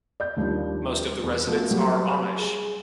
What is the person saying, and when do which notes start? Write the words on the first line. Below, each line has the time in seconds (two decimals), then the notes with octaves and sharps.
Most of the residents are Amish.
0.20 D5 G6
0.36 D#2 F3 G3 D4
1.23 E2
1.47 F3 A3 B3 F#4 A4 A#4
1.71 F#3 G3 G4
2.39 G#4